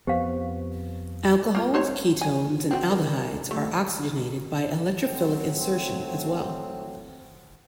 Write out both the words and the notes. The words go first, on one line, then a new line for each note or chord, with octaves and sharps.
Alcohols, ketones, and aldehydes are oxygenated by electrophilic insertion as well.
F2 B3 G4 C5 F5
A#3 F4
C4 C5 C#5
G#5
C4 F#4
A#4
A3
F#3 A3 C4